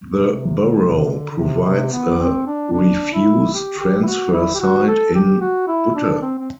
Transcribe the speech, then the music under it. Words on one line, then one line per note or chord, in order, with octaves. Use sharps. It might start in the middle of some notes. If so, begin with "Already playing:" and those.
The Borough provides a refuse transfer site in Butte.
B2
C3
D3
C3
C3
D3
D3
C3
C3
B3
C4
D4
D4
E4
G4
G4
E4
F#4
E4
G4
F#4
A4
G4
F#4
E4
D4
C4
C4